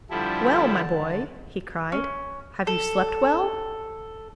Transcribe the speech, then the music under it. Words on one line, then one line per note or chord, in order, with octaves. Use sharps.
"Well, my boy," he cried, "have you slept well?"
D3 F3 G3 E4 A5
C#4
A4